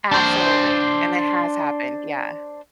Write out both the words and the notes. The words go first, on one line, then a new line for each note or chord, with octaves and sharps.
Absolutely, and it has happened, yeah.
D4 C5